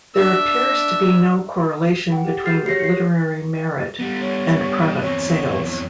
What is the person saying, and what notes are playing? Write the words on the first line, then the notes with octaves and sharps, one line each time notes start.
There appears to be no correlation between literary merit and product sales.
D4 E5
F#5 G5
G4
F#4 G#4 F6 G6 A6 C7
G4 C#5 A#6 C7
C7 C#7
G3 B3
C#5
E2 C4 C#5